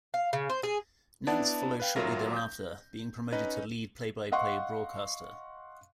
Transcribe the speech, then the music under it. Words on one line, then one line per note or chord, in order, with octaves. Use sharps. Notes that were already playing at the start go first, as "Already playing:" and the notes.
Nantz followed shortly thereafter, being promoted to lead play-by-play broadcaster.
F5
C#3
C5
G#4
B3 D4 E4 D5 F#5 A5
B4 F5 G5
G#1 F#3 F4 A#4 E5 A#6
G6
C#4 D#4 B4 D#5
D#5 F5 F#5 C6 C#6